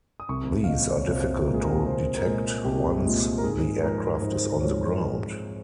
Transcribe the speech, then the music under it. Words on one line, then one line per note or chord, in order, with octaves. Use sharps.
These are difficult to detect once the aircraft is on the ground.
D#6
C2 C#6
F5
A#2 G#3 D#5
C#5
C2 C5
A#2 G#3 G#4 A#4
A#4
C2 C5
A#4
A#2 G#3 G#4
C2 G4
A#2 G#3
A#4
G#2 G#4
F3 G#3 A#4
G#2 C5
F3 G#3 C#5